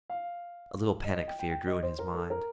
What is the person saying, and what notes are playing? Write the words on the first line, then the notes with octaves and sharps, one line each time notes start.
A little panic-fear grew in his mind.
F5
D#5
D#5
G5
G5
G5
D#5
C5
A#4
A4
A#4